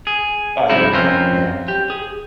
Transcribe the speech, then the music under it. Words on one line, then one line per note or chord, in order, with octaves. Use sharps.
I love that, yeah.
G#4
G2 C3 F3 D#4 E4
F2 C4 C#4 F4 A#4 C6
G4
G#4